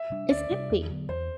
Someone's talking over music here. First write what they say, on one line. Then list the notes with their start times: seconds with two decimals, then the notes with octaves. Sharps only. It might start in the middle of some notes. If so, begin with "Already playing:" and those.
It's empty!
Already playing: E5
0.10 C3 G3 D4
0.30 D2 D5
0.50 C3 G3 D4
0.70 E2
0.90 D3 F#3 B3
1.08 E2 C5